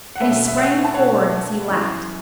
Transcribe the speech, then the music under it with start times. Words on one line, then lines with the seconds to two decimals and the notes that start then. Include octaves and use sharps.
And he sprang forward as he laughed.
0.16 F#5
0.21 B2 A3 C#4 B4 E5
0.48 E5
0.58 C#5 F#5
0.85 A5
0.94 B2 A3 C#4 C#5 F#5
1.68 F#2 E3 B3 E4